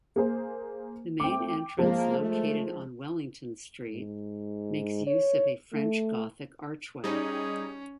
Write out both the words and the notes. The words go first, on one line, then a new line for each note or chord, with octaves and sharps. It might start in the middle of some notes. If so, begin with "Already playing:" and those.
The main entrance located on Wellington Street makes use of a French Gothic archway.
A#3 G#4 C5
A3 C4 G5 D6
F3 G#3 A#3
A3
G#2
C#5
A3
G3 C#4 D#4 G#4